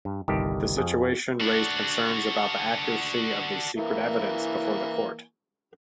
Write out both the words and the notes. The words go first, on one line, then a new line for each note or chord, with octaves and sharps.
The situation raised concerns about the accuracy of the secret evidence before the court.
G2
G1 C2 D#3 G4 A5
F2 F3 G#4
D4 F#4
E3 A#3 E4